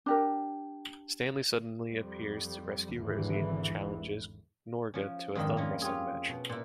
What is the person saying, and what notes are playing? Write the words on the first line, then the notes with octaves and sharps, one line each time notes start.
Stanley suddenly appears to rescue Rosie and challenges Gnorga to a thumb-wrestling match.
D4 G4 A#4
F2 G3
G#1 E2 D3 E3
F3 C#4
F2 G#2 D#3 D4 G5 B5
A#3 C#4 F4
C#4 F4 G4 G#4
B2
A#2 E4